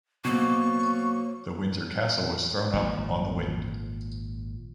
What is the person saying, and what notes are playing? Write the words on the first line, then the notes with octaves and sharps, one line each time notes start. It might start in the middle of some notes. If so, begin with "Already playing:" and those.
The Windsor Castle was thrown up on the wind.
B2 F#3 A#3 C4 C#6
G#1 A#2 F3